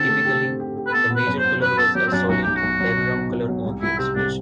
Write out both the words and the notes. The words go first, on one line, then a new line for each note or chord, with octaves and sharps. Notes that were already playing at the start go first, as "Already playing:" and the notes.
Typically, the major color was a solid, background color on the insulation.
Already playing: D3 C4 G4 A4
A3
G4
C4
G4
G4
B4
B3 A4
B3
B4
F#2
C5
B3
F#2 B4
B3 A4
F#3 G4
C4
F#2 D4
B1 F#4
B1 G4
F#4
B1
F#3
B2
B2
B2
F#3
C2
C2 E4
C3 C4
C2 D4